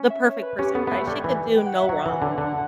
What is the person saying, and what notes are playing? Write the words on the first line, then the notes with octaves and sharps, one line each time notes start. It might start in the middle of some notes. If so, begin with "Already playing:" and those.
the perfect person, right? She could do no wrong.
Already playing: C#4
E5
C#5
B4
C#4 G4
B3 A4
B3
A3 B4
G3 C#5
E3
G5
F#5
E5
F#3 F#5
E3
D3
D3